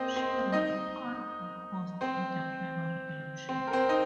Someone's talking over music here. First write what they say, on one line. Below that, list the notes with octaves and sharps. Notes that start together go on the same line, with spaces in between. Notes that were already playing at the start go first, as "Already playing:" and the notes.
She ran unopposed in the primary election.
Already playing: A#3 C4 C5 D#5
C4 C5
D#4 D#5
C4 C5
C4 C5
A#4
C4 C5
D#4